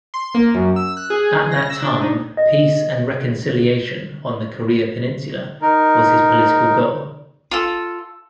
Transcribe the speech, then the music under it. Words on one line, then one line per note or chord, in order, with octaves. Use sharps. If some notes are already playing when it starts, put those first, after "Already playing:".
At that time peace and reconciliation on the Korea peninsula was his political goal.
C6
A#3
F#2
E6
F#6
G#4
A#6
E6
D4
D#4
D#5
D#4 A#4
F4 A4